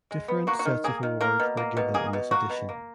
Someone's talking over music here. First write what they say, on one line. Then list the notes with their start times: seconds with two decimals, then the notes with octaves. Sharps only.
Different sets of awards were given in this edition.
0.11 G#3
0.28 B3
0.47 A#3 F#4
0.59 F#4
0.65 D#3
0.84 A#3 G#4
1.03 D#3
1.21 A#3 A#4
1.40 B2
1.57 A#3
1.77 B2
1.94 A#3 G#4
2.13 B2
2.31 A#3 F#4
2.50 B2
2.69 A#3